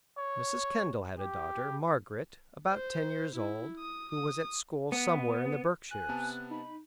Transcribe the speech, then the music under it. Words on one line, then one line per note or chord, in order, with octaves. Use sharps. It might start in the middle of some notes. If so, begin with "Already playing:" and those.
Mrs. Kendall had a daughter, Margaret, about ten years old, who was at school somewhere in the Berkshires.
C#5
G4
C5
E4
D#6
D#6
B3
G#5 F#6
C3 B3 A5
D#4 B5